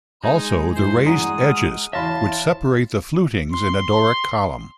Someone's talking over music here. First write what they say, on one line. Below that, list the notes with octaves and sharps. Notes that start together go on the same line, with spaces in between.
Also the raised edges which separate the flutings in a Doric column.
G#3 D#4 G#4
F#2 E4 C5
E2 G2 G#3 F#5 A#5 D#6
F6
E2 C#5 E5 F5 A5 B5 C6 A#6
C6